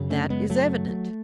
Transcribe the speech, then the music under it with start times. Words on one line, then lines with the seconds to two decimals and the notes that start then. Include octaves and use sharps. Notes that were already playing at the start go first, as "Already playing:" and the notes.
That is evident.
Already playing: F#2 C#3
0.10 A3 C#4
0.30 G#3 B3
0.50 F#3 A3